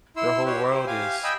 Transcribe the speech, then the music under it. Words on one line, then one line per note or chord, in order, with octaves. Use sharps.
their whole world is
E4 C6 E6
G4 B4 C#5
G4 C5
G4 F5 G#5
D#5 G5 G#5 B5 E6